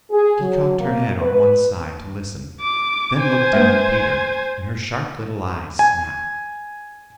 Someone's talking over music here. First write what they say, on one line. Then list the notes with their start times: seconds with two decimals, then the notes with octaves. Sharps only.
She cocked her head on one side to listen, then looked down at Peter, and her sharp little eyes snapped.
0.11 G#4
0.40 F#3
0.80 A#3
1.21 B4
2.61 D6
3.19 C5 G#5
3.53 G#3 A#3 B4
5.79 G#5